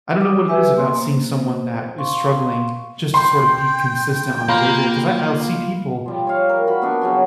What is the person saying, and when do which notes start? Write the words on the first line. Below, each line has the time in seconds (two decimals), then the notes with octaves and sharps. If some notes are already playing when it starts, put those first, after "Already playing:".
I don't know what it is about seeing someone that is struggling just to sort of be consistent on the day-to-day. 'Cause I I'll see people,
0.21 D6 D#6
0.47 G4 B4 E5 G#5 E6
0.75 A#3 C6
0.96 A#3 C5
1.98 F5 C6 C#6
3.14 G5 B5 C6
4.48 A#3 F4 A#5 B5
6.06 F3 G3
6.27 C#5 F5
6.49 A#4
6.67 F#4 B5
6.82 B3 D4 C#6
7.02 C#3 F#3 C#4